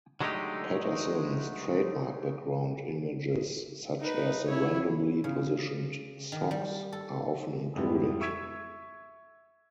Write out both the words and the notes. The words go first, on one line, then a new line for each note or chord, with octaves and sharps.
Paterson's trademark background images, such as the randomly positioned socks, are often included.
D3 F#3 G#3 A3 D#4 G4
D#4 B4
E4 C#5
C#3
D#3
G3
A4
F2 G#2 G3 B3 E4
E5 C#6 E6 G#6 B6